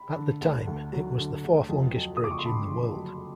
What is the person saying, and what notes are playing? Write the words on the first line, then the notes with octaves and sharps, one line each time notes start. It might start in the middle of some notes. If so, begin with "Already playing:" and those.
At the time, it was the fourth longest bridge in the world.
Already playing: B5
D3
D2
D2
F#3
D3
D2
F2
F#3
D#6
F#1 D6
C#6
C6
D3 A5 B5
F2
F#3